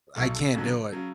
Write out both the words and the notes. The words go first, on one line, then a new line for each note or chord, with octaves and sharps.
I can't do it.
B1 B2 F#3 A4
F1 F2 D3 F#3
C#3 F#3